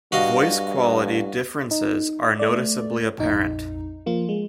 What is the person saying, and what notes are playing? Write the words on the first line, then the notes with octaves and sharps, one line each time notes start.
Voice quality differences are noticeably apparent.
G2 F#4 D#5 F5
D#4
A3 D5
A#1 F2 D#4
F3 A#3 F4
G#3